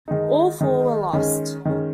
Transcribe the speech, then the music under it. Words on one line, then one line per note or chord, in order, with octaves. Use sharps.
All four were lost.
D#3 G#3 D#4
D#3 G#3 D#4
D#3 G#3 C#4
D#3 G#3 C#4